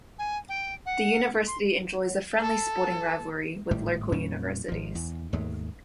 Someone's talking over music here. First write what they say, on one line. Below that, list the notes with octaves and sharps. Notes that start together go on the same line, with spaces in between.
The university enjoys a friendly sporting rivalry with local universities.
G#5
G5
F#5
C6
A4
G#1 A2 G3
F2 A#2 G3 C#4
G#1 F3
E2
D#2 G#2 G#3 A3